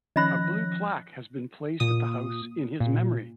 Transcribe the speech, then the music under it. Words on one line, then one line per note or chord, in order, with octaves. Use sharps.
A blue plaque has been placed at the house in his memory.
D#3 F3 C#4 D#5 B5 F#6 A#6
A#2 D#6
A#2